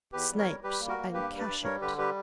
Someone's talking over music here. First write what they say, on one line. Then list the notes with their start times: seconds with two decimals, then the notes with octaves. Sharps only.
Snape and Cashett.
0.12 E2 G4 B4
0.30 G3
0.38 A#4 C#5
0.46 G3
0.63 G3 G4 B4
0.80 A#3
0.88 F#4 A#4
0.98 A#3
1.14 G2 G4 B4
1.31 G3
1.39 B4 D5
1.47 G2
1.64 G3 A#4 C#5
1.81 D3 G4 B4
1.98 G3 G4 B4